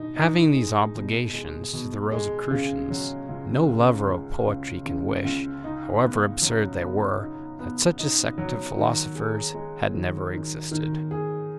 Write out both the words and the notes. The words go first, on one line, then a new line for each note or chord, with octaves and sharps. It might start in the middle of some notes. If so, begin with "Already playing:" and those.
Having these obligations to the Rosicrucians, no lover of poetry can wish, however absurd they were, that such a sect of philosophers had never existed.
Already playing: B2 D#4
D#4
G#3
B2
G#3
B2
G#3
C#3
F#3
C#2
C#2
C#2
C#2
C#3
C#2
D#4
B3
F#3
B3
D#4
B3
D#4
F#3
D#3
G#4
G#3
D#3
D#3
D#3
G#4